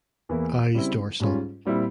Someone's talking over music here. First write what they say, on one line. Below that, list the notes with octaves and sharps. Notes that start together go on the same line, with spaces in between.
Eyes dorsal.
E2 E3 A#3 E4
C#3 G3 C4 E4
G#2 G3 C#4 F4
A#2 G3 C4 E4